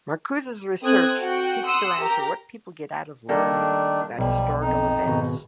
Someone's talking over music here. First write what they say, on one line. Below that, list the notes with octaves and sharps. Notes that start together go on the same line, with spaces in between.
Marcuse's research seeks to answer what people get out of learning about historical events.
A3 C4 D#6 F#6 G#6
F#4 F#5 G5
F#5 C6 D#6 E6
G4 A#4 A#5
D#3 G3 A3 A#3 D4 A4
B1 F3 G3
F2 D#4
G#1 B2